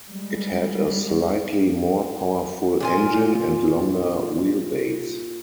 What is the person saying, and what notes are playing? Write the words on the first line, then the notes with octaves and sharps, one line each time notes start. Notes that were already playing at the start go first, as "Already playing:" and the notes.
It had a slightly more powerful engine and longer wheelbase.
G3 G#3
A#2 F4 G#5